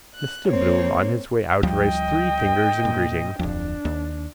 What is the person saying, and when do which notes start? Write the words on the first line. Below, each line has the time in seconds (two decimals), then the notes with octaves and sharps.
Mr Bloom on his way out raised three fingers in greeting.
0.15 F#6
0.48 A#3 C4 C#5
1.63 D2 F3 G3 D#5 G5
2.85 A#2
3.39 D1 F2 D4
3.85 D#2